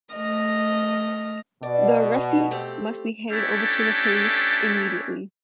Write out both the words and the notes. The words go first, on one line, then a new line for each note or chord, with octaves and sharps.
The arrestee must be handed over to the police immediately.
A3 D#5 F6 A#6
B2 D5
A3 C4 G4
A3 C#4 D4 E4 G4 A4